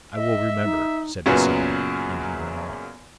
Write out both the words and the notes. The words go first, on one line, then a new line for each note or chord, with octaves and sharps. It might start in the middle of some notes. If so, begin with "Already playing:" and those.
'I will remember,' said Vassili, and he went on.
D#5 E5
D#4
F#2 A#2 C#3 F#3 B3